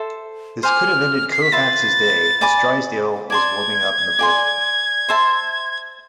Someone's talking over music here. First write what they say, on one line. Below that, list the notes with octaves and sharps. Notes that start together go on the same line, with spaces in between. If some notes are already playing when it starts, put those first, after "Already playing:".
This could have ended Koufax's day as Drysdale was warming up in the bullpen.
Already playing: A4 C5 E5
C5 G#5 D6 F6
C7
B6
F4 B4 E5 B5 A6
D5 G#5 B5 D6
D5 A5 C6 G#6
D5 G#5 C6
C5 E5 A5 C6